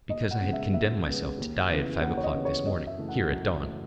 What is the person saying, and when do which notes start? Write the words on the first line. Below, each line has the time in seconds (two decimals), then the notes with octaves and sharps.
Because I had condemned myself to die at five o'clock this morning, here, at dawn.
0.10 D#2 D#5
0.31 F#5
0.42 C#3 G#3 B3
0.53 E5
0.73 D#2 E5
1.06 C#3 G#3 B3
1.38 D#2
1.70 C#3 E3 B3
2.01 D#2 F#5
2.17 C#5
2.23 D#5
2.34 C#3 E3 B3
2.45 C#5
2.66 F#2 D#5
2.87 E5
2.98 C#3 E3 A3
3.09 F#5
3.30 F#2
3.63 C#3 E3 A3